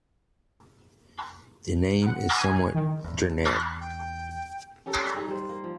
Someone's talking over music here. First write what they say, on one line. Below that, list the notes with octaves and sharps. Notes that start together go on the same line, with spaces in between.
The name is somewhat generic.
F#5
G#5
D#3
E2
G5
C#4 G4 A4 A#4
D5
G3 D#4 G#4
G3 C5
A#3
F3